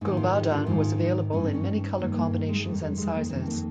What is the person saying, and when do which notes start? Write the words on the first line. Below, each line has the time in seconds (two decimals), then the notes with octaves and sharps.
Gulbadan was available in many color combinations and sizes.
0.01 G#2 D#4
0.05 D#3
0.17 F4
0.35 G4
0.51 F4
0.66 G#2 D#3 F4
1.00 D#4
1.33 G2 D#3 C#4
1.44 C4
1.54 C#4
1.99 G2 D#3 A#3
2.15 A#3
2.31 A#3
2.49 G#3
2.59 G#3
2.65 F2 G3
2.68 D#3
2.81 G3
2.98 G#3
3.15 A#3
3.30 D#3 C4
3.34 F2
3.47 A#3